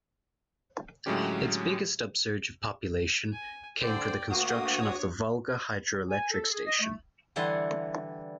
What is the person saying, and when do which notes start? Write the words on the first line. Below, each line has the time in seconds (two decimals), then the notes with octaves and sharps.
Its biggest upsurge of population came for the construction of the Volga Hydroelectric Station.
1.06 A2 D3 F#3 G#3 C#4 G4
3.32 G#5
3.81 D3 C5 D5 G5
4.29 D2 A#3 F#4 D#6
4.80 D4 C#5
6.10 G#5
6.31 A4
6.51 G#4
6.66 D#5
6.81 A3
7.36 D3 E3 G3 A4 F#5 C6